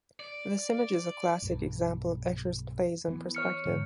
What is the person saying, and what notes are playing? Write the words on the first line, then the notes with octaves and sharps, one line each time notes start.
This image is a classic example of Escher's plays on perspective.
D5
B1 G2
E3 B3
C#5 F6 C#7
G#2 D3